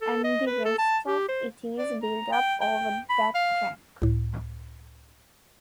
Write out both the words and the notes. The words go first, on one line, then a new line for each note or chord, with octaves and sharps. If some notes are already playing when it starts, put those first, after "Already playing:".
And the rest of it is built up over that track.
A4
D#5
B4
A4
A5
G4
C5
D5
A#5
G5
G5
B5
F5
C#2 A2